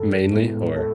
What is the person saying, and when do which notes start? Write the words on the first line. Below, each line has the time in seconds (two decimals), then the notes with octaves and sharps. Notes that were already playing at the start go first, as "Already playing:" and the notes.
mainly or
Already playing: F#2 E3 A4
0.34 A2 G#3 B3 E4
0.77 A4